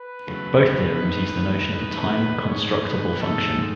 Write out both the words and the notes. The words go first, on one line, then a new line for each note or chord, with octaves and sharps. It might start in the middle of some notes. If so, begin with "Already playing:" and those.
Both theorems use the notion of a time-constructible function.
Already playing: B4
E2 C#3 F#3 A3
E2 D#3 A3 D#4
E2 D#3 A3 D#4 B4
G#2 D#3 A3 D#4 C#5
B4
G#2 D#3 A3 D#4 A4